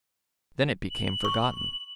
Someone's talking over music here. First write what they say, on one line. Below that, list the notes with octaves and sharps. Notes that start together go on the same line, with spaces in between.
Then it became forgotten.
F#7
C#6